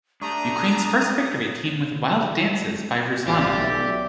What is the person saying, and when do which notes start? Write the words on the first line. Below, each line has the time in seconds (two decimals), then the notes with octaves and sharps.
Ukraine's first victory came in with "Wild Dances" by Ruslana.
0.21 A3 D4 G4 A#5 D#6
3.26 A1 F4 G4 D5
3.58 B1 E5